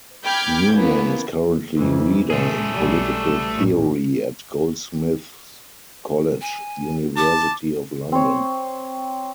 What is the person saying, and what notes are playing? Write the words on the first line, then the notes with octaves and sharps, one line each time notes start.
Newman is currently Reader in Political Theory at Goldsmiths College, University of London.
G5 B5 D6 F6 G6 G#6
E3 A#3 B3 C#4
F2 E3
A#2 A3 G#4
B1 G3
A1 A#2
G#5
A5 D6
C4 C5 C#5